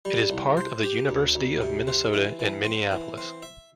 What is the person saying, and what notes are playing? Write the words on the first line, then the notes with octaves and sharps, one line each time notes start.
It is part of the University of Minnesota in Minneapolis.
G3
C2
C5
G4
D2
D2
C3
C4
E3
E3
C4
E3
C4
E5